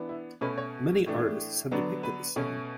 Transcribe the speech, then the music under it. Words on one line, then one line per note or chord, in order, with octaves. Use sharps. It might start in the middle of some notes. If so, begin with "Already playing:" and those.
Many artists have depicted the scene.
Already playing: E3 B3 D4
E4
B2 A3 C#4 B4
C#5
A2 E3 A3 D4
D3 F#3 B3 D4
B4
B2 A3 C#4